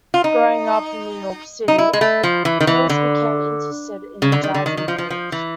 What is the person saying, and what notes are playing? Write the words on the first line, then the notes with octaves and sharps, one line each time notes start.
Growing up in New York City, Geils became interested in jazz and blues.
F4
D#4
D#4
E4
G#3
A3
F3
E3
D#3
E3
D3
C#3
D3
D#3
D3
D#3
D#3
F3
F3
F3
E3